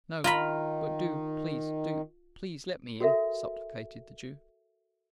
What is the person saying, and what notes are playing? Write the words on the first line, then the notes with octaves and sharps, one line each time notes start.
"No; but do, please--do, please, let me in," supplicated the Jew.
D#3 F4 A#5 B5
F#4 A4 A#4 E5